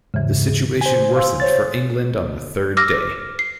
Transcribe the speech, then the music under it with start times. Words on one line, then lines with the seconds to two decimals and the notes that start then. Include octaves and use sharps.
The situation worsened for England on the third day.
0.14 D#2 G#2 C#3 E3
0.48 G#4
0.81 C5 G#5
1.16 F5 C6 E6
1.40 C5 C#5 A6
2.77 D6 E6 F6 A#6
3.39 C7